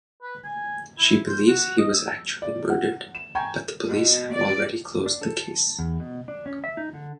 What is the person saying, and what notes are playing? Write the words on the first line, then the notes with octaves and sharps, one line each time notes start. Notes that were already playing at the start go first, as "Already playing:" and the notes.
She believes he was actually murdered, but the police have already closed the case.
B4
G#5
E4
C5
F#4
D#5
E6
D5
F#5
E7
G5 G#5 A#5 C#6 G6 G#6
B2
D5
D4
A4
A5
E2
B2
D4
C#4
E5
D#4
D3